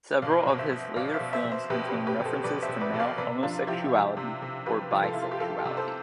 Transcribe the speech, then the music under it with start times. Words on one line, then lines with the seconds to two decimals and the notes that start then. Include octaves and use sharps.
Several of his later films contain references to male homosexuality or bisexuality.
0.22 B2 D5 F5
0.46 B2
0.58 C5 E5
0.71 B2
0.96 B2 D5 F5
1.14 C5 E5
1.20 B2
1.33 C5 E5
1.45 B2
1.51 C5 E5
1.70 B2 G4 B4
1.88 G4 B4
1.95 B2
2.07 G4 B4
2.20 B2
2.25 A4 C5
2.44 B2 B4 D5
2.62 C5 E5
2.69 B2
2.81 B4 D5
2.93 B2
3.00 D5 F5
3.18 C3 B4 D5
3.43 F3 D4 F4
3.67 F3 E4 G4
3.92 F3
4.17 C3
4.42 C3
4.66 F3 G4 B4
4.91 F3
5.03 F4 A4
5.13 C3 E4
5.22 F4
5.31 G4
5.40 F3 F4 A4
5.59 F4 A4
5.65 C3
5.77 A4 C5